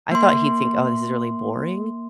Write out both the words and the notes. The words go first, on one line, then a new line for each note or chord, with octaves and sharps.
I thought he'd think, "Oh, this is really boring."
A#3 C6